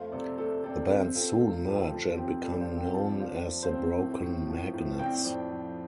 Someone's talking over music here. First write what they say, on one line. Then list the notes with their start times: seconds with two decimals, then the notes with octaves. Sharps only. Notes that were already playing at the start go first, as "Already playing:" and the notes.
The bands soon merge and become known as the Broken Magnets.
Already playing: F2 A3 C5 F5
0.12 C3 A4 D5
0.38 A3 A4 D5
0.64 C4 A4 D5
0.82 A4
0.89 C4 G4
1.15 C4 F4 A4
1.40 C3 F4
1.66 F2 G4
1.91 F3 F4 A4
2.17 C4 G4 C5
2.43 F3 A4 D5
2.54 D5
2.60 C5 F5
2.69 C4
2.77 D5 G5
2.95 F3 F5 A5
3.12 D5
3.20 F3 C5 F5
3.46 F2
3.63 C5 F5
3.71 C4
3.97 A2
4.23 A2
4.48 F3
4.74 A2
4.99 C4 D5 G5
5.25 F2 D5 G5
5.50 F3